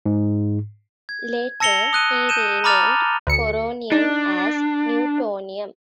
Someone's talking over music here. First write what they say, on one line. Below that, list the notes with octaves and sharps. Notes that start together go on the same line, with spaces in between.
Later he renamed coronium as newtonium.
G#2
G#6
A5 E6 A#6 C#7 F7 G7
D#6 F#6 D#7
G6 D#7 E7
A#5 B5 D6 F6 A6 F7
D2 C#7
D4 D#4